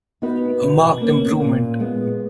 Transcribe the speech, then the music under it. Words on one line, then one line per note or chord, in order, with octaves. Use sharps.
A marked improvement.
B3 D#4 F#4 B4
B2
A#3 C#4
A#2
G#3 B3